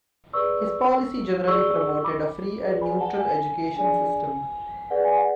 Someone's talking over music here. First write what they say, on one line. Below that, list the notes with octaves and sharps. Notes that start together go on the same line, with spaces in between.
His policy generally promoted a free and neutral education system.
G#4 B4 D5 C#6 E6
G#4 D5 C#6 E6
B5 D6
G#4 B4 D5
G#5 B5
F#5 A5
G#5
D4 G#4 D5 G#5
G#4 B4 D5 F#5
G#5
F#5